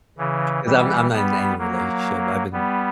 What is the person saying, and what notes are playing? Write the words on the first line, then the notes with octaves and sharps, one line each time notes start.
'cause I'm I'm not in any relationship. I've been
C#3 E3
E3 G3
G3 B3
F#3 A#3
G3 B3